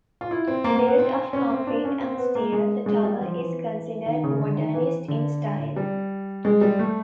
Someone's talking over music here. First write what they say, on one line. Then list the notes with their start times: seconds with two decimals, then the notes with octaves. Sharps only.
Built of concrete and steel, the tower is considered Modernist in style.
0.21 F4
0.31 E4
0.48 C4
0.64 A#3
0.76 A#3
0.88 B3
0.99 C4
1.16 C4
1.33 C#4
1.50 C4
1.67 D4
1.84 C#4
2.01 C4
2.18 B3
2.35 A#3
2.52 G#3
2.86 G#3
3.03 G3
3.21 F3
3.38 E3
4.06 D#3
4.23 C#3
4.39 D3
4.57 D#3
4.74 E3
5.08 D3
5.76 G3
6.45 G#3
6.61 G3
6.79 A3